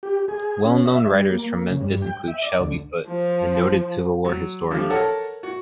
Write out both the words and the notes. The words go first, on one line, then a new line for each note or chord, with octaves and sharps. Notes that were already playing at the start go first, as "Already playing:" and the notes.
Well-known writers from Memphis include Shelby Foote, the noted Civil War historian.
G4
G#4
C#4
E5
G3
A#3
C#3
G2
G5
E5
D5
D2
F3
F#3
D3 F3 G3
A4 A#4 C#5 F#5 A5
F#4